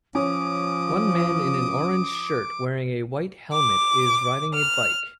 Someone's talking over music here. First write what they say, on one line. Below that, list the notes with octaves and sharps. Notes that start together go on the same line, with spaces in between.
One man in an orange shirt wearing a white helmet is riding a bike.
F3 C#4 D6 D#6
D6
F6